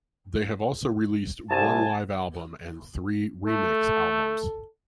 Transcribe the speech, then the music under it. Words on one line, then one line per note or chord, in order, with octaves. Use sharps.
They have also released one live album and three remix albums.
C2 G#5 A5
A3 A4